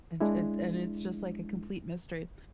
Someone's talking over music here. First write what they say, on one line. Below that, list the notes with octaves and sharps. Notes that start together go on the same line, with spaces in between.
and and and it's just, like, a complete mystery,
G#3 D4 E4